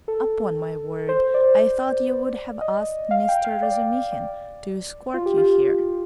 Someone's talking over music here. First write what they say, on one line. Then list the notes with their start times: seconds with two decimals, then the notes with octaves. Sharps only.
Upon my word, I thought you would have asked Mr. Razumihin to escort you here.
0.08 A4
1.09 C5
1.34 D5
2.61 D#5
3.11 F5
3.28 G5
3.45 F5
3.62 D5
4.12 D5
5.14 F4
5.26 G4
5.37 F4